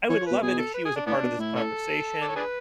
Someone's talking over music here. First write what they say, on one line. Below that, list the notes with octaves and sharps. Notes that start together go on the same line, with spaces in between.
I would love it if she was a part of this conversation,
E3 C#5
B2 B4
B2 G#4
A4
B4
G#4
D4
A2 B3 D4
B2
A2 E4
C#4 E4 A4
D5
C#5
D4 G#4 B4